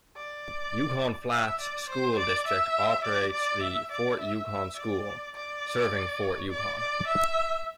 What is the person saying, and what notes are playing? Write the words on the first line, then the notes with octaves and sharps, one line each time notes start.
Yukon Flats School District operates the Fort Yukon School, serving Fort Yukon.
D5
E5
D5
C5
D5
E5
D5
D5
E5
D5
E5
E5
D5
D5
D5
D5
E5